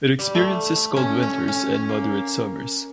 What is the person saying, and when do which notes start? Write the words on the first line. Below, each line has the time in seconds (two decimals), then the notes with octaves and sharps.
It experiences cold winters and moderate summers.
0.19 G3
0.35 A3
0.96 C#4
1.23 C#4
1.48 C#4
1.74 C#4
1.89 A#3